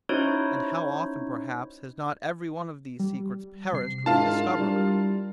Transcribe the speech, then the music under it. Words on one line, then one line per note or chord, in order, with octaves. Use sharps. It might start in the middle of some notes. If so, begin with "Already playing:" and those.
And how often perhaps has not every one of these secrets perished with the discoverer?
C#4 D#4 E4 F#4 C5 C#5
G3
C3 C7
G#2 D4 E4 F4 A#4 F5 A5
G3